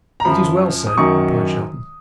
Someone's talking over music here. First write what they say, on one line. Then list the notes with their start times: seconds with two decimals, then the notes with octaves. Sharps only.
"It is well said," replied Shelton.
0.20 A#5
0.25 F#2 F3 B5
0.87 D#6
0.97 F#2 D#3 F#3 C#6